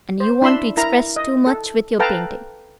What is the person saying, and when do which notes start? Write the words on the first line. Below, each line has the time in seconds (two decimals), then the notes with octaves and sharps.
And you want to express too much with your painting.
0.20 C5
0.42 D4 E4 B5 C6 E6
0.77 E4 A#4 A#5
1.16 D#5
1.47 A4
1.99 A4 B4 F5 G5 A5 A#5